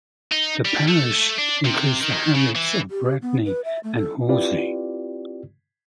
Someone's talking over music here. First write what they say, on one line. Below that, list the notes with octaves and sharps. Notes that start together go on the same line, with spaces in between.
The parish includes the hamlets of Bradney and Horsey.
D#4
G3
A3
D4
C3
D#3
C#3
E3
G4
B3
B4
E5
A3
A4
C4 E4 F4 G4 B4 D5